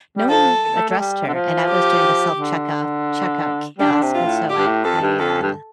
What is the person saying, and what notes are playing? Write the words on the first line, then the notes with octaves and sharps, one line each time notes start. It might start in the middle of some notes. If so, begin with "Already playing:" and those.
no one addressed her, and I was doing the self-checkoff checkout kiosk, and so I I, uh
G3
F3 A4
A3
A3
G3
D3
F3
G4
D3
G3 D4
D3
C3
F4
A2
G4
G2
A2
F2 A4
G2
F2 A4
G2